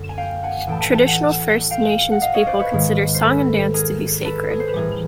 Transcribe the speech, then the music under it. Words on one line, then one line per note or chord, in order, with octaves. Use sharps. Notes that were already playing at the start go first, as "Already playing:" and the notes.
Traditional First Nations people consider song and dance to be sacred.
Already playing: F#2 D3 A3
G#5
F5 G5
F#5 G#5
A2 E3 A3 G5 A5
G5 A5
G5 A5
F#5 G#5
F5 G5
F#5
D#5 F5
C#5 D#5
C5 D5
B4 C#5
G#2 D#3 G#3
C5
A4 B4
G#4 A#4
A4 B4
G#4
C5
B4
A2 E3 G3 G#4 A#4